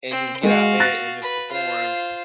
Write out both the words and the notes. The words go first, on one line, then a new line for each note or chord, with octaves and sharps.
and just get out there and just perform
C4
G#3 F#4 F5
F#6 A6 A#6
B4
F4 C5